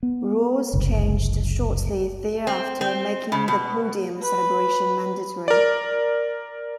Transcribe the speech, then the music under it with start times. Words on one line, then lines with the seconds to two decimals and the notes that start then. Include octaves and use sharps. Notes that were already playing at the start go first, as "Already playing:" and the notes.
Rules changed shortly thereafter making the podium celebration mandatory.
0.03 B3
0.74 F#1 C2
2.47 C4
2.81 C4
3.32 C#3
3.48 B2
4.21 B4
5.48 A#4 D5